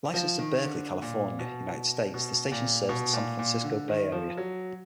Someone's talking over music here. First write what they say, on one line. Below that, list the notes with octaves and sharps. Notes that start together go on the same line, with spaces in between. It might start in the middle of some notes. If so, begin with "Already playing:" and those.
Licensed to Berkeley, California, United States, the station serves the San Francisco Bay Area.
F3
D#3
D3
A#2
B2
B2
A#2
B2
A#2
A#2
D3
D#3
F3
F#3